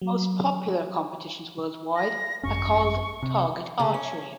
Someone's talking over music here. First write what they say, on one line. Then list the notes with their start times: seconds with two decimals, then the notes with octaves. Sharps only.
The most popular competitions worldwide are called target archery.
0.02 F#3
1.96 A#6
2.43 G#1 F#2 C#4 C#6
3.23 C3
3.80 C#3
3.94 C#4